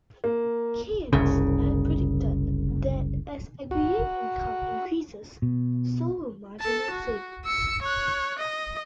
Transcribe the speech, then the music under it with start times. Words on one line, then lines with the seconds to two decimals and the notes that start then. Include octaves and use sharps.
Keynes had predicted that as aggregate income increases, so will marginal savings.
0.24 A#3
1.13 F#1 C2 C#3
3.71 F#4
5.42 B2
6.61 A4 A5
6.91 F#4
7.46 E6 C#7
7.82 C#5 F#6
8.38 D#5